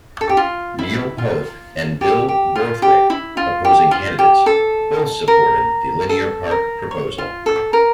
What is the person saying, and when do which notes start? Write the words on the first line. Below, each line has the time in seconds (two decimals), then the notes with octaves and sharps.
Neil Pope and Bill Borthwick, opposing candidates, both supported the linear park proposal.
0.21 A4
0.29 G4
0.37 F4
0.79 E4
1.18 F4
2.01 G4
2.29 G4
2.56 F4
2.82 G4
3.10 E4
3.37 F4
3.65 G4
3.91 F4
4.19 G4
4.46 A4
5.28 A#4
6.09 A4
6.51 A#4
6.91 C#5
7.18 F4
7.46 A4
7.73 A#4